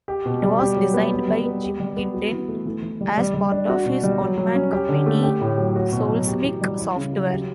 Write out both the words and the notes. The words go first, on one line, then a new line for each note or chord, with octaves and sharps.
It was designed by Jim Gindin, as part of his one-man company, Solecismic Software.
G4
B2
G3
G4
F#3
B3
G4
G3
B3
G4
G3
B3
F#4
E3
A3
E3
E3
G3
G3
G3
D4
F#4
B2
G3
F#3
F#3
C#4
G4
D3
A3
G4
A2
F#3
F#4
B2
F#3
G4
E3
G3
E4
C#3
F#3
G4